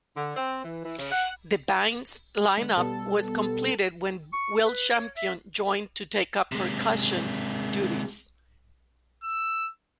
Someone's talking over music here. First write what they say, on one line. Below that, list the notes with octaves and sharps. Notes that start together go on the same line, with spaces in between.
The band's line-up was completed when Will Champion joined to take up percussion duties.
D3
C4
E3
E3
C#3
F#5
D3 G#3
B2 G3 B3 A4
C#6
B4
C#5
E5
C3 G#3
E6